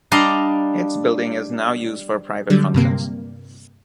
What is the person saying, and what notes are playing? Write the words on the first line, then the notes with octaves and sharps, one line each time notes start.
Its building is now used for private functions.
G3 D4 D#5 F5 A#5 C6
D3 F#3 G3
G2 C3 A#3